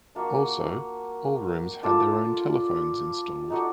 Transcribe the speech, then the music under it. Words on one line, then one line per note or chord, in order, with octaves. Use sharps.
Also, all rooms had their own telephones installed.
A#3 D4 F#4
D4 F4 A4 D5
D#4 F#4 A4 D5